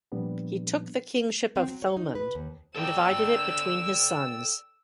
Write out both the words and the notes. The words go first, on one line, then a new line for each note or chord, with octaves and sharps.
He took the kingship of Thomond and divided it between his sons.
A#2 F3 G3 B3 D4
C4
F#3
C#5
D#4
B4
D#2
A4 D5 G5 E6